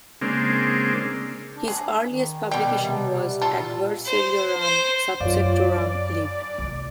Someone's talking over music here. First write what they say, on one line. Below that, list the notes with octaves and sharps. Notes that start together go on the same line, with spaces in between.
His earliest publication was Adversariorum subsectorum lib.
C#3 G#3 A#3 C4 D4
D4
G#4
D#3
B2 G3 G4
C3
A#2 F4 A4
C5
C5
F#2 F4 C#5 D5 F5
C2